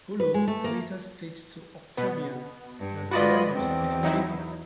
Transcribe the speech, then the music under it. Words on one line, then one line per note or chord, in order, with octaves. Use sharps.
Pullo later states to Octavian that Vorenus didn't make it.
B4
G#3
A3
A#3
B2 B3
G2
G#3 F4 F#4 B4 D5 D#5 B5
E2 C4
F#3 D#4 E4